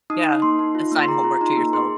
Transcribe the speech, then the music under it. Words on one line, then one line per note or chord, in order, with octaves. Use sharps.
Yeah. Assign homework to yourself.
D#4 D#6
D#4
A#3 C6
D#4
F4
A#3
C6
G#4 A#5
F4
D#4 A#5
A#3
G#4 C6